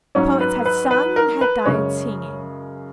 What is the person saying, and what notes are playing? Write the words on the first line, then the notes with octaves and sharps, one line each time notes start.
Poets had sung and had died singing.
G#2 F#3 C#4 C#5
B4
B4
B4
A#4
B4
F#2 C#3 G#3 C#4 C#5